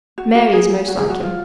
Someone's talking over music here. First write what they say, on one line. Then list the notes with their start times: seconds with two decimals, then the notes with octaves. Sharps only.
Mary is most like him.
0.18 F#4
0.35 F#4
0.53 G#4
0.88 F#4
0.99 G#4
1.10 F#4
1.23 F4